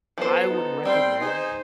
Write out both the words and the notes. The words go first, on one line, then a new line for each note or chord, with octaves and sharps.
I would recommend
F3 B3 F4 A4 C5
D#4
G3 C4 G5 C6
D#4 G#4 C5 G#5